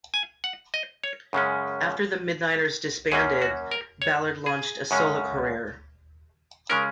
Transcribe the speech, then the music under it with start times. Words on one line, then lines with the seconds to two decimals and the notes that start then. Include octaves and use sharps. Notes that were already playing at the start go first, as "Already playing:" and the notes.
After the Midnighters disbanded, Ballard launched a solo career.
0.14 G#5
0.44 F#5
0.74 D#5
1.04 C#5
1.33 F#2 C#3 G#3 C#4
3.12 F#2 F#3 A#3 C#4 G#4
3.42 F#4
3.71 A#4
4.02 C#5
4.46 G#4
4.91 F#2 C#3 G#3 C#4
6.70 C#3 G#3 C#4 A#4